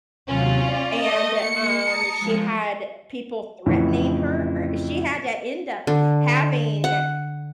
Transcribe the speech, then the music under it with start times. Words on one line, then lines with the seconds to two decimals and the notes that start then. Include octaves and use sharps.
And, um, she had people threatening her. She had to end up having
0.26 D#2 C3 F#3 C#4 F4
0.64 D5
1.00 A3 D#5
1.41 A#3 C#7
1.79 A5 A#5 D#6
2.19 F3 G#3
3.66 F2 A2 C#3 E3
5.87 D3
6.84 F#5